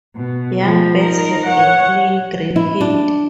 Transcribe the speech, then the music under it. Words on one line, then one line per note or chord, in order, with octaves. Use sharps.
Young birds have a plain green head.
B2
F3
D#4 A#4
C#5 F#5
E4
D4